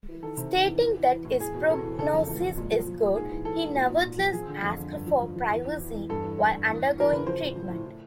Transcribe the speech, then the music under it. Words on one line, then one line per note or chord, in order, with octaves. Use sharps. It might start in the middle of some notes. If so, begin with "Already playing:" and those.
Stating that his prognosis is good, he nevertheless asked for privacy while undergoing treatment.
E3
D#3 A4
C3
D#3
E2
E3
E3
E3
A2
E2 G#4
B2
B2 A4
E2
C#3 A4
F2
E3
F2
A#2
F3
F3
A#2
G#2 G#4
E3
E3 A4
G#2
A#2
A#2
A#2
F3
F3 G#4
D3
F2
D3
G2
F3
F3
F3
E2
E2
E3
E2
G2 A4
E3
G2
G2
E2
E2
E3 A#4
C#3 B4
F3 C5
A2
F3
A2
A2